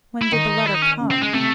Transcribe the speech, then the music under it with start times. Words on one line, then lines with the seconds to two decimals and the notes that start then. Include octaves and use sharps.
When did the letter come?'
0.22 E4
0.32 D#3 D#4
0.66 E4
0.74 D#4
0.82 C#4
1.00 C#3
1.11 C4
1.22 G#3
1.33 C3 A3